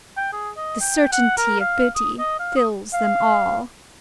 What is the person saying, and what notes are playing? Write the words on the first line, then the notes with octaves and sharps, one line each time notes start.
The certainty of booty fills them all.
G5
G#4
D#5
G5
F#5
A#4
F5
D#6
D#5
F5
D#6
F5